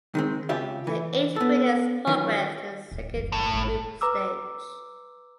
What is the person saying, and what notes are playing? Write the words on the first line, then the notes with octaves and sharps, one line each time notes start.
The eight winners progress to the second group stage.
D#3 G#3 C4
C#2 C#3 F4 G4 E5
E3
B3 A4
D#3 E3 F#3 C#4 F4
D1
F#1 D#3
A2
G#1
B4 A#5 D6 E6